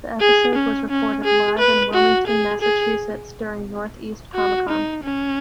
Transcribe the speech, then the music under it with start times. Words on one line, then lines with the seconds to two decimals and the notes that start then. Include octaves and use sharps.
The episode was recorded live in Wilmington, Massachusetts during North East ComicCon.
0.20 G#4
0.55 C#4
0.90 C#4
1.24 G#4
1.59 B4
1.94 F#4
2.27 G#4
2.61 G#4
4.34 F#4
4.69 D#4
5.03 C#4